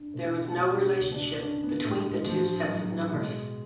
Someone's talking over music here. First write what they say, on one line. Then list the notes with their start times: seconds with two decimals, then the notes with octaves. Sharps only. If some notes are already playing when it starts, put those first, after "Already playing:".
There was no relationship between the two sets of numbers.
Already playing: D4
0.14 B2 A3
0.57 B2 D4
0.99 C#2
1.14 D4
1.41 C#4 D4
1.63 B3
1.84 A2 A3
2.06 G#3
2.26 A2 F3
2.69 A2 F#3
3.12 B2 G#3